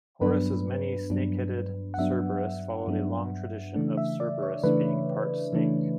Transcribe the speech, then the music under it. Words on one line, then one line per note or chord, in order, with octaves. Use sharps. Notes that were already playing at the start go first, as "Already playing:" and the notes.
Horace's many snake-headed Cerberus followed a long tradition of Cerberus being part snake.
G2 F#3 B3 D4 B4
G2 F#3 B3 D4
F#5
G2 F#3 B3 D4 E5
G2 F#3 B3 D4
C#3 E3 A3 D4
E5
D5
C#5
C#3 E3 A3 D4 B4
C#3 E3 A3 D4